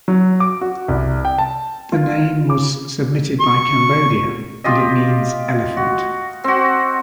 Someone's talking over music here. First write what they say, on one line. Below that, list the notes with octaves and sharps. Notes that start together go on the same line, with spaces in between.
The name was submitted by Cambodia, and it means elephant.
F#3
D6
F#4
C2
G5
A5
F4
D6
C#6
F4 G4 D#5
F#4
C4 F#4